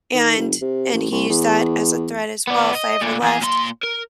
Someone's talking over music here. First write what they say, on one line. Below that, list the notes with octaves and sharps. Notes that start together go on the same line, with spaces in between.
and and he used that as a threat as well if I ever left,
D#3
F#1
C3
A1
C2
E2
B3 D5
D#5
A#2 D3
E2 G#4
A#2 C6
A#4